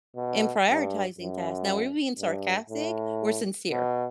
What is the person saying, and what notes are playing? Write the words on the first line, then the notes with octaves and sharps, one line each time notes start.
in prioritizing tasks? Now, we're being sarcastic or sincere?
B2
G2
F#2
G2
A2
B2